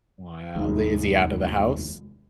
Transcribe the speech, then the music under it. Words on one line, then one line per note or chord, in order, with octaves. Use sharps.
Wow, they is he outta house?
F1 D#2 D#3 G#3